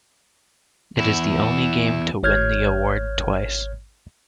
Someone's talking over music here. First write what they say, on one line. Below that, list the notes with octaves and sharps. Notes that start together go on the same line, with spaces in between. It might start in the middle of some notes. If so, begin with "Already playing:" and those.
It is the only game to win the award twice.
E2 E4
G#1 C#5 F6 G6 G#6